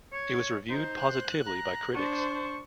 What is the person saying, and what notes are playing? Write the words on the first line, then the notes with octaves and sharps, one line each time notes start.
It was reviewed positively by critics.
C#5
D#4 C5
F#6
A#5
D4 C5 C#6